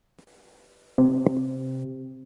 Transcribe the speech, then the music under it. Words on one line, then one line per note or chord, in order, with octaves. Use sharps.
The "Edmonton Journal" noted Porritt had represented the Mackenzie District in the legislature.
C3